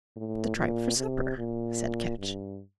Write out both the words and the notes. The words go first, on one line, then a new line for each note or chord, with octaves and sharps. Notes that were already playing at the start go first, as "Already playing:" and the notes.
"The tripe for supper," said Ketch.
A2
A#2
C3
A#2
G2